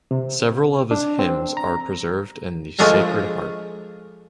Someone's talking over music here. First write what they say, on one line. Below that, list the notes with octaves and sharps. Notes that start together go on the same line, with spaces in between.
Several of his hymns are preserved in the Sacred Harp.
C3
D4
C4
A#5
F3 G#3 A3 D4 A#5